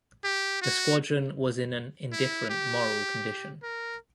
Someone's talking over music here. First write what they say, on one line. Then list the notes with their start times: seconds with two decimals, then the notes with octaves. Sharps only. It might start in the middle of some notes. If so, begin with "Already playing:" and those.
The squadron was in an indifferent moral condition.
0.24 G4
0.62 F#4
2.13 E4
2.50 G4
3.63 A#4